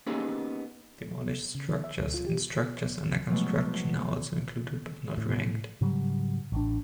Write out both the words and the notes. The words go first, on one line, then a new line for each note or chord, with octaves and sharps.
Demolished structures and structures under construction are also included but not ranked.
A#3 B3 C#4 D#4 G4 G#4
C#3
D#3
E5
D2
F4
G4
C3 F3 F#3 G#3 A3 B3
A2
G#2 C#3 F#3 G3
A1 D4